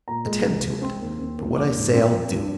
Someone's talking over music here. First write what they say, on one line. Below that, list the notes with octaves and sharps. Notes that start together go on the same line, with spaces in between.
Attend to it; for what I say I'll do.
A#2 A#5
G#3
C2
G#3
C4 C6
D#2
C4
D#2
F3 D6
G#2
C4
F3
G2